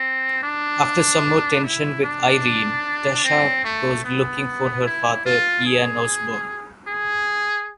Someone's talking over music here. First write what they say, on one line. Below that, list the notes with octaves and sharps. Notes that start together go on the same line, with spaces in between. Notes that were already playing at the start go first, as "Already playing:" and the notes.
After some more tension with Irene, Tasha goes looking for her father, Ian Osbourne.
Already playing: C4
D4
E4
D4
C4
A3
B3
E4
F4
G#4
G#4